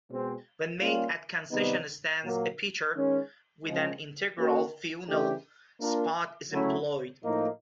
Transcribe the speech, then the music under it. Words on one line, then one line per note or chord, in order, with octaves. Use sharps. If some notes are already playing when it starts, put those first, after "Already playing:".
When made at concession stands, a pitcher with an integral funnel spout is employed.
B2 G#3 C4
G3 A#3 C#4 F4
C3 D#3 G3 B3 D#4
A#2 F#3 A#3
D#3 G#3 C#4
C#3 F3 G#3
A#3 C#4 F#4 A4
C#3 E3 A3 D4 G4
A#3 D4 F4 A#4
C#3 F#3 A3 C#4 E4
A2 F3 A#3 D#4